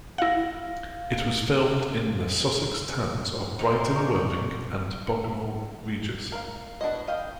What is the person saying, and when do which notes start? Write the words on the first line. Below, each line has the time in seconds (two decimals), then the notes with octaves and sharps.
It was filmed in the Sussex towns of Brighton, Worthing and Bognor Regis.
0.18 E4 F5 F#5 A#6
3.59 C#4 D#4 C5
3.96 D4 A#5 C#6 D6
6.32 A#4 F5
6.81 B3 D4 F#4 D#5
7.07 D#5 F5 G5